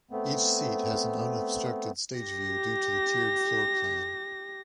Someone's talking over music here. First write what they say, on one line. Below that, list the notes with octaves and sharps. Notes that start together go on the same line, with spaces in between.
Each seat has an unobstructed stage view due to the tiered floor plan.
A3 B3 C4
G4 A#6